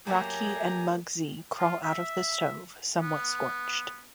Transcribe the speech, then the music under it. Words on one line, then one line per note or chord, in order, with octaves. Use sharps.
Rocky and Mugsy crawl out of the stove, somewhat scorched.
F#3 A3 A#3 G4 G#5 A#5
F4
E5
B3